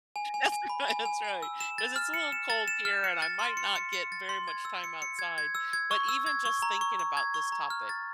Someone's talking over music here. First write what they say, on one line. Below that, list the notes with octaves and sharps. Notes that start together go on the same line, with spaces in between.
That's right, that's right. ‘Cause it's a little cold here and I might not get very much time outside. But even just thinking about this topic,
G#5
G#5
G#5
B5
G#5
G#5
G#5
E6
E7
A6
F6
C#7
E7
A6
E7
F6
C#7
A6
C6
C#7
C#7
C#7
A6
C6
G#6
E6
C#7
C#7
G#6
G#6
E6
G#6
C#6
E6
G#6
C#6
A#5
C#6
C#6
G#6
C#6
A#5
F6
A6